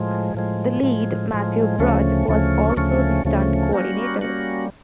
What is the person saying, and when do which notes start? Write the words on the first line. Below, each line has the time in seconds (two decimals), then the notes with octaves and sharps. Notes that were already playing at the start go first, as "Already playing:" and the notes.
The lead, Matthew Bruch, was also the Stunt Coordinator.
Already playing: A2 F3 G#3
0.34 A2 F3 G#3
0.82 A2 F3 G#3
1.31 A2 F3 G#3
1.79 D2 C#3 F3 A3 C#4
2.28 D2 C#3 F3 A3 C#4
2.77 D2 C#3 F3 A3 C#4
3.25 D2 C#3 F3 A3 C#4
3.73 G3 A#3 C#4 F#4
4.21 G3 A#3 C#4 F#4